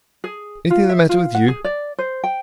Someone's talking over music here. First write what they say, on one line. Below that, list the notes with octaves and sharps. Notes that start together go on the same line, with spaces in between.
Anything the matter with you?'
G#4
F4
E5
F4
F#5
G#4
D5
C5
G5